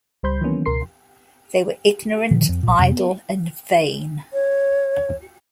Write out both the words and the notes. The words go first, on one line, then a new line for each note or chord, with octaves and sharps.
They were ignorant, idle, and vain.
C#2 G3 C5 B5 C6 G6
D#3 E3 F#3 A#3 B3 C#4
C#2 B2 A#4 C6 C7
A#2 D3 D#3 F3
F2
B1 A#2
F2 C3
B3
C#5